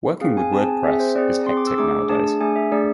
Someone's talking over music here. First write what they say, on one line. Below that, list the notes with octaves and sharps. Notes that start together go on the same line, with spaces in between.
Working with Wordpress is hectic now-a-days.
C4 G#4 F5
G#5
C4 G#4 A5
G#5
C4 G#4 E5
C5
C4 G#4 D5
C4 G#4 C6
D6
E6
A3 D4 G#4 D6
A3 D4 G#4 A5
A3 D4 G#4 G#5
E5
A3 D4 G#4 D5